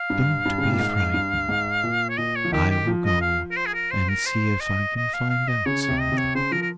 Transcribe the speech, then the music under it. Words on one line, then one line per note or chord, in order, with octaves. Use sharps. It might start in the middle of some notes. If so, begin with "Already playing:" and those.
'Don't be frightened; I will go and see if I can find out something.'
Already playing: F5
G2
G2
C#3
C3
A#2
G#2
G2
G#2
A#2
C#5
A#2 D#5
C#5
F3
D#3 G4
G4
F3
D#5
F5
A#4
C5
G#4
A#4
C5
A#4
C5
D#5
D#5
F5
F5
D#5
C#3 C#5
C#5
C3
D#5
C3
C#5
C#3 C5
F3 A#4
A#4